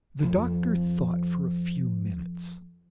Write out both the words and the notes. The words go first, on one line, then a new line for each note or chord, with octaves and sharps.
The doctor thought for a few minutes.
F2 F3